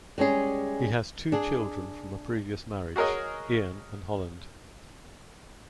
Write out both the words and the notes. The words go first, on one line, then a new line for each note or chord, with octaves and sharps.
He has two children from a previous marriage, Ian and Holland.
G3 G#3 C#4 G#4
D4 G#4
F#4 G#4 A#4 C#5 D#5